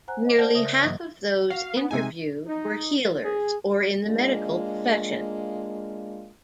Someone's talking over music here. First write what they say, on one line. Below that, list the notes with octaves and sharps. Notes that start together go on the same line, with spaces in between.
Nearly half of those interviewed were healers or in the medical profession.
C5 F#5 G#5 A#5 F#6
D#5 D6
A#4 C5 D5 F#5 A5 G6
C#3 E5 D#6 A#6
G2 E3 F#3 A#3 D#5
F#4 F5
B3
C3 G#3 D#4 G#5
D#4
G#4
G#3 A#3 D4 F4